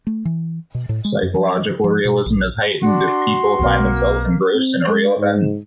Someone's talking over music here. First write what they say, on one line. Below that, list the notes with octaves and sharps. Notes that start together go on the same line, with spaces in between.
Psychological realism is heightened if people find themselves engrossed in a real event.
A3
E3
B2
A2
G#3
F#2
F3
F3
B2
A#1
D4 F#4 C6
B1 A#3 C4
C4
G#3
G#2